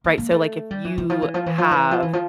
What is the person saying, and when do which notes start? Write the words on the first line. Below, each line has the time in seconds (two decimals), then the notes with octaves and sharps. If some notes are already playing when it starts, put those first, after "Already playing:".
Right, so, like, if you have
0.04 A#3
0.18 A#3
0.31 A3
0.71 G3
0.85 E3
0.98 E3
1.10 F3
1.22 E3
1.34 F3
1.46 E3
1.58 F3
1.71 E3
1.91 F3
2.02 E3
2.13 F3